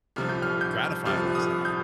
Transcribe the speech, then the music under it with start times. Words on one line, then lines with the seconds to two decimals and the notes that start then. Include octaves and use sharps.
gratify it as that?
0.16 C2 C3 F3 F6
0.29 G6
0.42 F6
0.61 G6
1.06 C2 C3 F3 F6
1.35 D#6
1.65 G6